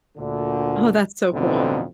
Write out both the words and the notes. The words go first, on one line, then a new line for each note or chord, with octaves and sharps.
Oh, that's so cool.
D2 A#2 D3
A1 F2 B2 D3 C4 D#4